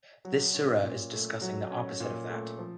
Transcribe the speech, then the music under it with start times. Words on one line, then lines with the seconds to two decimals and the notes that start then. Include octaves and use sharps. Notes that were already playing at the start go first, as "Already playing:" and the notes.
This surah is discussing the opposite of that.
0.25 F#3
0.54 C#4
0.83 A#2
1.12 A3
1.42 F#3
1.71 C#4
2.00 A#2
2.29 A3
2.59 F3